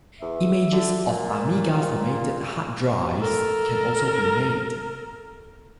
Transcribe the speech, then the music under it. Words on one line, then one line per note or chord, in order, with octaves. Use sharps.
Images of Amiga formatted hard drives can also be made.
E2 E5
D3
A#2
F4
A4 A#4